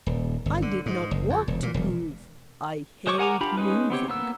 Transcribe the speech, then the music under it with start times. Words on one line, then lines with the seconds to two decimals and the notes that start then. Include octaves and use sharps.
'I did not want to move--I hate moving.
0.06 D#1
0.46 G1
0.62 D3
0.86 G#2
1.11 F#1
1.30 F2
1.48 E1
1.63 A#2
1.74 E1
3.07 G#3 C5 C#5 C#6 D6
3.18 A#4 F#5 G#5 A#5 D6
3.41 D4 F4 G4 B5
3.57 G#3 C#4 D#4 B4
3.90 B3 C4 G4 C#5
4.08 A#3 B3 E6